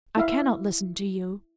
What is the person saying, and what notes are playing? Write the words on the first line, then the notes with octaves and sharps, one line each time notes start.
I cannot listen to you.
E4 E5 F5